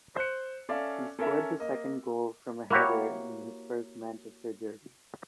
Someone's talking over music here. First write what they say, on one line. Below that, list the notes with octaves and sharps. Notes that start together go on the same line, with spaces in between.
He scored the second goal from a header in his first Manchester derby.
C5 F#6 C#7
C#4 A4 D5 E5 F5
C#4 A4 A#4 E5
A#3 D#5
A#3 E4 F#4 G4 C#5